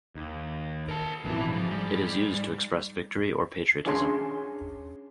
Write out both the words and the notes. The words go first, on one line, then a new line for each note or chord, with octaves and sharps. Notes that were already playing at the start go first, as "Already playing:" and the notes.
It is used to express victory or patriotism.
D#2
A#4 A5
A1 F2 B2 E3 E4
G#2 F3
G3
C#4 D4 E4 G#4 C#5 C6